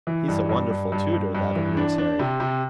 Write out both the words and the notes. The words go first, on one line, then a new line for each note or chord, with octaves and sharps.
"He's a wonderful tutor, that of yours, Harry!"
E3
G2
G2
G2
G2
G2
G2
E3
D4
D4
C3
C3